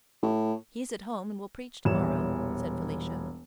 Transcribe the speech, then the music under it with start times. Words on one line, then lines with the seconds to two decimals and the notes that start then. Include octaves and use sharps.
"He is at home and will preach tomorrow," said Felicia.
0.22 A2
1.85 E1 A#1 E3 G3 C#5 E7